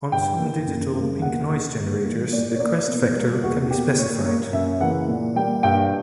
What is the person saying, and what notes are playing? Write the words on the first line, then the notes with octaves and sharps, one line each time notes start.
On some digital pink-noise generators the crest factor can be specified.
G2 G5
E3 A#3
F#2
C#3 G3 A#3
E2 F#5
D3 A#3
G2
E3 G3 A#3
A#2 D5
C#5
A#3 D5
B2
G3 A#3
E2 F#4
B2 A#3 G4
A#2 C#5
A#3 C#5
F#2 E5
C#3 E3 A#3 F#5
A#2
G3 A#3 G5
G2 G5